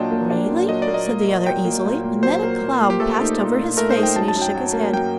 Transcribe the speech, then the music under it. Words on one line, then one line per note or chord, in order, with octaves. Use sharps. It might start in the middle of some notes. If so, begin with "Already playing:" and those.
"Really?" said the other easily, and then a cloud passed over his face and he shook his head.
Already playing: A#2 F#3 D4 D#5 G5 A5
A#3
D4
A#2
F#3 D#5
D5
A#3
D#5
A#2
A#2
F#3 G5
A#3
A#2
A#2
F#3 C5
A#3
A#2
A#2
G4
A3 A4
D#4
A#2
A#2
A3 A#4
C5
D#4
G5
F#2 A5
A5
F#2
G5
F#3
A#3
F#2 G5